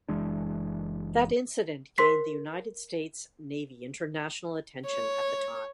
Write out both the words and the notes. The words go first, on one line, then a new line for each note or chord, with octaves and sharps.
That incident gained the United States Navy international attention at the time.
F#1 E3 G#3 D4
A#4 C5 C6 B6 C7
C#5